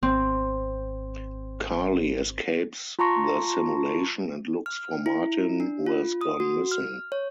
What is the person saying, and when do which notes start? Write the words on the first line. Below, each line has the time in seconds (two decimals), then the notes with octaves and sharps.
Carly escapes the simulation and looks for Martin who has gone missing.
0.03 G#1 C4
2.99 F4 A5 A#5 C6 C#6 A#6
4.66 F6
5.06 E4
5.60 D4
5.86 F4
6.21 D#6
6.40 F#4
6.72 F6
7.12 C#5